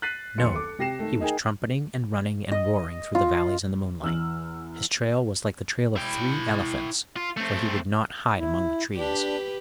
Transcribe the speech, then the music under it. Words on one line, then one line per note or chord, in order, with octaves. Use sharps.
No, he was trumpeting and running and roaring through the valleys in the moonlight. His trail was like the trail of three elephants, for he would not hide among the trees.
F#6 A6 B6 C7 D#7 F#7
F#1 D#2 B3 C6 C#7
A4 D6
C3 G4 A#6 C7 E7
D#3 A3
D#4 G#4 A#4 G5 G#5
D#5
F4
E2 E6 F6 F#7
E4 G5
F4
A3 C4
E4
D4 G4 B4